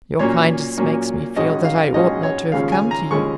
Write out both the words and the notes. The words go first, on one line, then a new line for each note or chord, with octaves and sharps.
"Your kindness makes me feel that I ought not to have come to you."
A#2 F#3 A#3 C#4 C#5
A#2 F#3 A#3 C#4
A#1 G#2 F#3 C#4 D#5
F5
A#1 G#2 F#3 C#4 D#5
C#5
D#2 C#3 F3 G#3 C#4 F5
G#5
A#5
D#2 C#3 F3 G#3 C#4 C#6